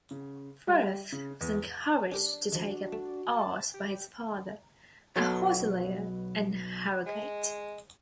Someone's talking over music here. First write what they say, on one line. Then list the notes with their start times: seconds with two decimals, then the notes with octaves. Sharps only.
Frith was encouraged to take up art by his father, a hotelier in Harrogate.
0.11 C#3
0.67 G3
1.12 C#3
1.41 E2
1.64 G7
2.12 C#4 D4 G4 A#4
2.52 D#3 F3 F#4
2.93 A3
3.32 A5
3.74 G4
5.16 B1 B2 F#3 A4 C6
7.06 G#3 D#5